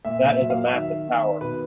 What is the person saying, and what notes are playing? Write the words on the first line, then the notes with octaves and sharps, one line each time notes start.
That is a massive tower!.
A#2 E5
E5
F#3
F5
D#3 E5
D#3
B2 B4